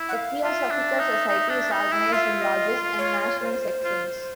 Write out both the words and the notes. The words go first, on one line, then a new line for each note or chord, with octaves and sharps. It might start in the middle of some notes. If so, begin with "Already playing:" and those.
The Theosophical Society is organised in lodges and national sections.
Already playing: E4
F#5
F5
F4 E5
D4
D#4
D#4
D4
D#4
E4
F4 E5
D#5
C#5
C5
F4